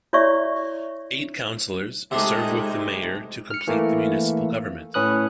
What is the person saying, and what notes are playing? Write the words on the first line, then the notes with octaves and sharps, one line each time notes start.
Eight councillors serve with the mayor to complete the municipal government.
E4 C#5 D5 E5 C#6
C3 G#3 A3 D4 D#4
F6 C#7
E3 A3 A#3
A2 C#4 B4 D#6 F#6